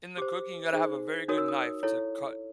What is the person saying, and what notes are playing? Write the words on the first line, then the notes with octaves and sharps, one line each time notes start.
in the cooking, you gotta have a very good knife to cut.
G4 C5 D6
D#4 G#4 C5
D#4 F#4 A#4 C#5 D#6
E6
D#6
E4 A4 C#5